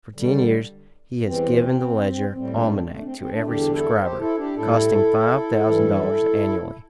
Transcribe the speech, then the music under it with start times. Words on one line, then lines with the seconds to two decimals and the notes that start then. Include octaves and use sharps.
For ten years he has given the "Ledger Almanac" to every subscriber, costing five thousand dollars annually.
0.14 G2 D3 G3
1.24 E2 E3 G3 C4
2.35 A2 G3 C4
2.54 A3 D4
2.73 C4
2.86 C4
2.90 A3
2.98 D4
3.04 C4
3.18 C4
3.32 A3 D4
3.46 E2 D3 G3 D4 G4
3.73 E4 A4
4.01 G4 C5
4.19 E4 A4
4.38 D4 G4
4.56 A2 G3 E4 A4
5.66 G2 E3 G3